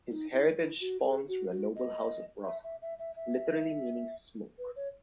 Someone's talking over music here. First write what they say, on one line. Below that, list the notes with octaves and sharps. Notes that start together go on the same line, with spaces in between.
His heritage spawns from the noble house of "Rauch" literally meaning 'Smoke'.
D#4
E4
E4
F#4
G#4
F#4
F#4
D#5
E5
E5
E5
E5
E5
B4
C#5